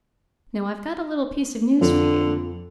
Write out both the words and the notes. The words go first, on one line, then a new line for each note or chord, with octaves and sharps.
Now I've got a little piece of news for you.
F2 D3